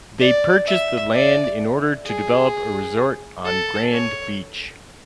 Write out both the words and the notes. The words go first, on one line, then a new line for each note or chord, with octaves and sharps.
They purchased the land in order to develop a resort on Grand Beach.
D5
E5
D5
G#4
A4
C#5